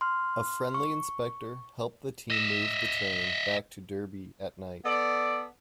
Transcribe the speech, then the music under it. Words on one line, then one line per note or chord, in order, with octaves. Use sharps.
A friendly inspector helped the team move the train back to Derby at night.
C6 F6
C#6
D#5 E5
B3 A4 D5